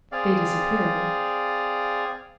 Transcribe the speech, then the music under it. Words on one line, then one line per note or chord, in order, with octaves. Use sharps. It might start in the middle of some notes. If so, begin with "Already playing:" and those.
They disappeared.
C4 G#4 D5 F5